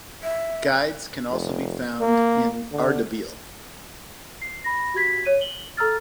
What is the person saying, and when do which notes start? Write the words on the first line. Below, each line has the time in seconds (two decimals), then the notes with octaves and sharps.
Guides can also be found in Ardabil.
0.23 E5
1.30 F1
2.00 A#3
2.72 D3
4.42 C7
4.64 B5 A#6
4.94 F#4 G4 G#6 B6
5.25 C#5 D#7
5.41 F#7 G7
5.77 A4 A#5 E6 F6 A6